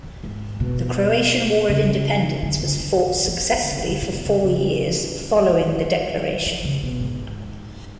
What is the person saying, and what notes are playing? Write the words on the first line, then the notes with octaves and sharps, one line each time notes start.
The Croatian War of Independence was fought successfully for four years following the declaration.
G#2
B2
C#3
D3
C#3
D3
E3
F#3
E3
E3
E3
D3
C#3
E3
D3
B2
B2
C#3
C#3
E3
F#3
E3
F#3
E3
C#3
B2
G#2